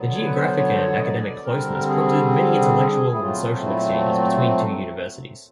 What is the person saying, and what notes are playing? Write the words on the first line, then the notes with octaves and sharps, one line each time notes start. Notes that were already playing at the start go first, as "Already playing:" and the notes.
The geographic and academic closeness prompted many intellectual and social exchanges between two universities.
Already playing: D3 F#3 B3
C#5
B4
C5
C#5
C5
C#5
D#5
D5
D3 G3 C4 A#4
G#4
E4
A#2 F#3 A3 C4 F4
E4